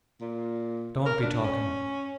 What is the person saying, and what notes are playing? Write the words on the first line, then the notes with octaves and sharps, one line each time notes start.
Don't be talking!
A#2
A#4
D4
C#4